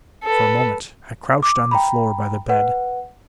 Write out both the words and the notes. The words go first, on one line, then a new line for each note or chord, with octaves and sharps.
For a moment I crouched on the floor by the bed.
A4 B4
D6
G5 A#5 B5
B4 F#5